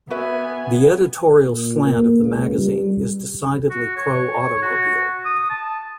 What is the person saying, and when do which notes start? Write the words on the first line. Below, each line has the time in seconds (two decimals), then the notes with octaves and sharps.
The editorial slant of the magazine is decidedly pro-automobile.
0.10 B3 F#4 B4 E5 G#5
1.46 A#2
1.86 A#3
2.20 C#2
2.57 G3
3.70 F#4
3.96 C#5
4.62 F#4
5.26 D#6
5.50 A5